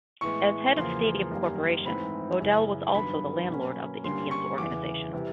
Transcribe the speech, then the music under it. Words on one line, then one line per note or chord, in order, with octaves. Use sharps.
As head of Stadium Corporation, Modell was also the landlord of the Indians organization.
A2 E3 G#3 B3 C#6
E2 C#3 F3 A#3 C6
F#2 D#3 G3 A#3
G#2 E3 A3 C4 B5
F#2 C#3 E3
G2 D#3 F#3 B3 B5
B2 F#3 A#3 C#4
G2 D3 G3 A#3 C#4 C6
C#6
E2 C#3 E3 D6
C3 E3 G3